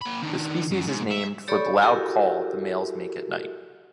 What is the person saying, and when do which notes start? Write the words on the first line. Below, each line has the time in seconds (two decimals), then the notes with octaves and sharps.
The species is named for the loud call the males make at night.
0.02 A#3 B5
0.23 D#3 D4
0.71 F#2
0.87 G#2
1.11 E5
1.48 G4 A4 C#5 D5 B5 C#6
1.81 E4 F#4 G4 A4 A#4